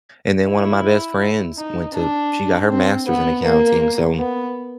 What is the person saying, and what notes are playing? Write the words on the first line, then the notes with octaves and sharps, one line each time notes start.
and then one of my best friends went to she got her master's in accounting, so
E4
D#4
D4
C4
B3
A#3
B3